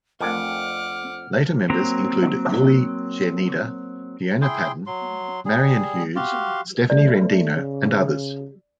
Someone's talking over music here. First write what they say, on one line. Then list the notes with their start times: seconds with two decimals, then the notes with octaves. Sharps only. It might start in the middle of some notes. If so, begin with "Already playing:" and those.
Later members included Julie Czerneda, Fiona Patton, Marian Hughes, Stephanie Rendino and others.
0.21 F2 A3 D4 A#4 F#5 G#5 D6 F6
1.70 F#3 A#3 C4 A#5
4.42 E4 G#4 G5 C6
4.87 F#3 C6
5.46 G3 G#4
6.16 F#4 G4 F5 C6
6.90 A3 D5
7.56 C#3